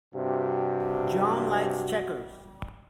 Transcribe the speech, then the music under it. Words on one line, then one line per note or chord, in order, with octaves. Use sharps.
John likes checkers.
G2 C3 F#4